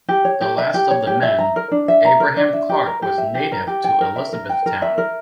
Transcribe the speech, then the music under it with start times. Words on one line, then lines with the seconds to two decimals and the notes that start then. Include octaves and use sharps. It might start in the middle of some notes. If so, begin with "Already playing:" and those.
The last of the men, Abraham Clark, was native to Elizabethtown.
0.09 G4
0.25 C#5
0.41 G4
0.58 E5
0.74 G4
0.91 C#5
1.07 G4
1.23 E5
1.38 A#5
1.56 A#4
1.72 D4
1.88 E5
2.05 A#5
2.20 A#4
2.37 D4
2.53 E5
2.69 G4
2.87 A#4
3.02 G4
3.18 E5
3.35 G4
3.52 A#4
3.67 G4
3.84 G5
4.01 A#4
4.16 E5
4.33 A#4
4.49 G5
4.66 A#4
4.82 E5
4.98 A#4